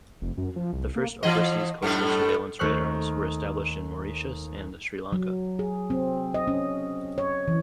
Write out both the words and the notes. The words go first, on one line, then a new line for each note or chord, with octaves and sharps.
The first overseas coastal surveillance radars were established in Mauritius and Sri Lanka.
F1
F#2
F3
C2
A#3
E3 F3 D#5
F#2 A2 A3
D#2 A3 C5 C#6 F6 F#6
F#3
G#4
C4
D#5
C#4
C#5
E3